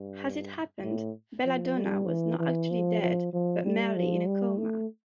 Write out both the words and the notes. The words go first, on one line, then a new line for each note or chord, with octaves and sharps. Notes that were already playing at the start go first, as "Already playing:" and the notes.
As it happened, Bella Donna was not actually dead, but merely in a coma.
Already playing: G2
A2
F3
G3
E3
E3
F3
F3
F3
G3
F3
G3
A3